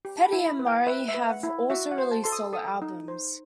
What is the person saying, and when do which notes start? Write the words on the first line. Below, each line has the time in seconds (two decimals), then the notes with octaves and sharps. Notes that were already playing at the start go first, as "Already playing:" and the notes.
Petti and Murray have also released solo albums.
0.05 G4
0.17 A5
0.25 B5
0.33 E4
0.46 B5
0.59 B4
0.66 G5
0.87 B4 E5
1.08 E5
1.14 B4
1.29 F#5
1.43 E4
1.70 F#4 E5
1.91 F#5
1.98 C5
2.11 A5
2.24 A4 C6
2.32 D#6
2.53 A4 D#6
2.82 D#4
3.08 C5